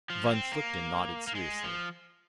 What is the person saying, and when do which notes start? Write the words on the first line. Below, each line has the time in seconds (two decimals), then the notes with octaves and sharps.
Von Schlichten nodded seriously.
0.10 F3
0.26 A#3
0.31 C4
0.52 A#3
1.27 A#3
1.35 G#3
1.63 F3